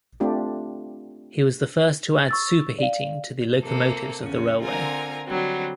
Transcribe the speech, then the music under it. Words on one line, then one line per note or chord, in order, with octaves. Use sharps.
He was the first to add superheating to the locomotives of the railway.
A3 C4 D4 F4 G4
C#6 E6 A6
D5 F5
C3 A#3 A4
E2 C#3 C#4
D3 C4 F4 A#4 G#5 A#5
D3 F#3 G3 C4